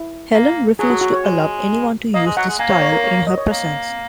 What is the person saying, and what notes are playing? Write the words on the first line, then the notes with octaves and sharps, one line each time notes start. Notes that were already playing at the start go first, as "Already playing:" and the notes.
Helen refused to allow anyone to use this style in her presence.
Already playing: E4
A#3
F#3 G#4
F#4
F#4
C#5
G#3
A#3 D#5
G#3
F#3 F#5
G#3
A#3 G#5
C#5
C#5
A#4
C#5
D#5
C#5
A#3